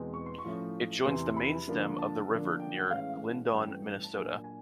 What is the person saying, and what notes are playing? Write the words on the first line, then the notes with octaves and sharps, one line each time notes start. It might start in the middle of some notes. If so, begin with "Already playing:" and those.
It joins the main stem of the river near Glyndon, Minnesota.
Already playing: E2 B2 G#3 C4
C#6
C6
C#6
A2 F3 A3 C#4
E2 C3 E3 C6
B5
D3 F3 A#3 D4
A5
D3 F3 A#3 D4
G5
F#5
A2 E3 G#3 C#4 F5
F#5
F#5
G2 E3 A3 C#4 G5
A5
A#2 F#3 A#3 D4 G#5
G#5